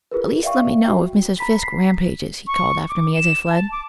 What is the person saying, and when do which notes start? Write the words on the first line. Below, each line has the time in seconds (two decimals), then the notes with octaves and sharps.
"At least let me know if Miss Fiske rampages," he called after me as I fled.
0.11 F4 G#4 A#4 B4
0.43 D5 E5 F5 G5 C#6
0.85 F#4 G5
1.39 A#5 B5 B6
1.62 B6 C7
2.47 C#6
2.89 D6
3.14 E7
3.50 A5
3.72 D6